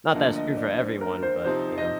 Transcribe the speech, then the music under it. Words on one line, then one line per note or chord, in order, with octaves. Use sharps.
Not that it's true for everyone, but, you know,
D2 D3 F3 A#3 D#5
D#5
D#5
D5
C5
A#4
C5
C3 F3 C4 D#4 C5
D#5